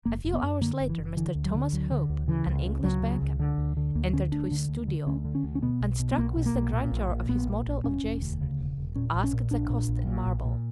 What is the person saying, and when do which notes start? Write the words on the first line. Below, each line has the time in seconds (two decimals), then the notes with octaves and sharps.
A few hours later, Mr. Thomas Hope, an English banker, entered his studio, and, struck with the grandeur of his model of Jason, asked the cost in marble.
0.05 F#1 A#3
0.24 F#1
0.33 B3
0.43 F#2
0.61 D3 A#3
0.80 F#1
0.90 E3
0.98 F#1
1.17 D3 E3
1.35 D2
1.45 F#3
1.54 D3
1.73 D2 F#3
1.91 D3
2.09 D2
2.28 C#3 E3
2.47 C#2
2.65 C#3
2.84 C#2 F#3
3.02 C#3
3.22 C#2
3.39 D3
3.58 D2
3.77 D3
3.95 D2 A#3
4.13 D3 C#4
4.32 D2 D4
4.51 D3
4.69 D2
4.88 D3
5.07 D2 C#4
5.25 D3
5.35 C#4
5.44 D2
5.55 C#4
5.62 B2 B3
5.81 B1
5.99 B2
6.11 B3
6.17 B1 A#3
6.37 B2
6.46 A#3
6.54 B1
6.73 A#2
6.91 A#1
7.11 A#2
7.29 A#1 B3
7.47 A#2
7.67 A#1
7.84 E1 C#4
8.03 E1
8.21 D2
8.41 C#3
8.59 E1
8.78 E1
8.96 A#2 C#4
9.15 A#1
9.24 C#4
9.33 A#2
9.51 A#1 D4
9.70 A#2
9.88 A#1
10.07 A#2
10.26 A#1
10.45 A#2